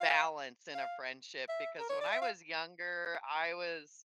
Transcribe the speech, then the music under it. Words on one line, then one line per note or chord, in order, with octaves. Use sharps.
balance in a friendship because when I was younger, I was
F5
F5
E5
A#4
C#5
D5
E5
F5